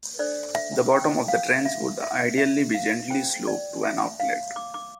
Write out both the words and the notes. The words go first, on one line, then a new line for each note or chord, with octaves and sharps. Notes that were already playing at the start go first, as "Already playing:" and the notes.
The bottom of the trench would ideally be gently sloped to an outlet.
D4 A4 C5 D5
E5
G5
F5
E5
E5
E5
F5
F4 A4 C5 G5
D5
E5
F5
D6
D6